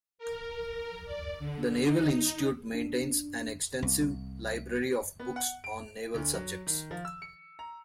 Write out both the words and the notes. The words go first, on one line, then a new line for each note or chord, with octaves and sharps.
The Naval Institute maintains an extensive library of books on naval subjects.
A#4
D5
D3
D#4
D4
C2
B3
F#5
D7
D2
F#3
D#3
F3
E6
C#7
A#5